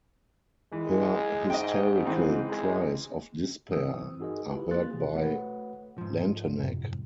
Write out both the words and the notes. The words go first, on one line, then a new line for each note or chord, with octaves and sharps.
Her hysterical cries of despair are heard by Lantenac.
E3 G#3
G#2 D#5 G5
E3 C4 D#4
G#3
G2 E3 C4 D#6 E6
D#4 F#4 G#4 A#4 D#5
E4 F4 G4 B4
A#3 C6 F#6 A6
B2 E3 G#3 G4 G#4
A3 F#4 B4 C#5 F#5
G#2 F3
F#2 A2 C3